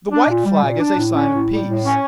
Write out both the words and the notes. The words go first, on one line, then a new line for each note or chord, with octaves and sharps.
The white flag is a sign of peace.
D4
A#2
G3
A#2
D4
A2
C#4
A2
G3
A2
C#4